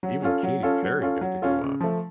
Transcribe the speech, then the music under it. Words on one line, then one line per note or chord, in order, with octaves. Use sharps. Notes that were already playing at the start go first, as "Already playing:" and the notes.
Even Katy Perry got to go up,
F#3
C#4 F4 A4
F#3
C#4 F4 A4
F#3
C#4 F4 A4
F#3
C#4 F4 A4
C#3
F3 A3